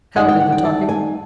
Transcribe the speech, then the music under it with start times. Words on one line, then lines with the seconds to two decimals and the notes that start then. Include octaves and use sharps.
Hal did the talking.
0.16 G#2 D#3 G3 F#5
0.28 G5
0.40 F#5
0.52 G5
0.65 A5
0.89 G#5